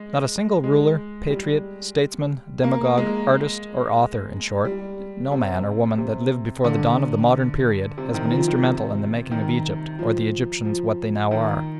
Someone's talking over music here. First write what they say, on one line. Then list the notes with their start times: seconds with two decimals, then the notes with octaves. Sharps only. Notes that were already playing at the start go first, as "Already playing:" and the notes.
Not a single ruler, patriot, statesman, demagogue, artist or author, in short, no man or woman that lived before the dawn of the modern period, has been instrumental in the making of Egypt or the Egyptians what they now are.
Already playing: G#3
0.64 G#3
1.30 G3
2.64 A#3
2.97 G#3
4.65 G3
5.32 C3
5.98 C3
6.64 D3
7.98 C3
8.14 D#3
8.31 F3
8.48 D#3
8.64 C3
9.31 D#3
9.99 F3
10.65 F3
11.31 D#3